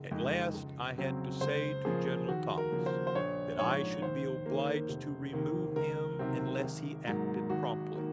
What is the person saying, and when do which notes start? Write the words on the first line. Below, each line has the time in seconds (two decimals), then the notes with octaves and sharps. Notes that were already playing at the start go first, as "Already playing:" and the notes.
At last I had to say to General Thomas that I should be obliged to remove him unless he acted promptly.
Already playing: F#1
0.11 F2 D#3 G#3
0.54 C#2
0.98 C#3 F#3 C4
1.41 C#2 C5
1.85 C#3 F3 A#3 G#4
2.28 D#2 F#4
2.58 A#4
2.72 C#3 F3 A#3
2.86 C5
3.07 C5
3.15 A#1 C#5
3.58 G#2 F3 C#5
4.02 D#2 C5
4.46 D#3 A#3
4.89 F1
5.33 D#2 D#3 A#3
5.76 C#2 A#4
6.19 C3 D#3 F#3 C4
6.63 G#1
7.07 G#2 F#3 A#3
7.50 G#1 F#4
7.95 D#3 A#3